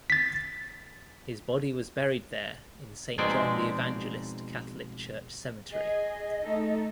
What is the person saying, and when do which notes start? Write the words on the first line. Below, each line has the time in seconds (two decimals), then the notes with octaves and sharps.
His body was buried there in Saint John the Evangelist Catholic Church Cemetery.
0.10 A6 B6
3.18 B2 F3 G#3 C4 D#4 D5
5.72 G#4 D#5
6.43 A3 D#4 A4